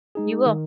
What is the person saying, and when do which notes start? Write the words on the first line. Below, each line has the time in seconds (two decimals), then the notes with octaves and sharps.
You will.
0.15 G#3 D#4 G#4
0.46 D#3